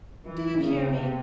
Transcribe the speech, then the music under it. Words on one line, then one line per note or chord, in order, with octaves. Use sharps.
Do you hear me?
E3
C#3
C3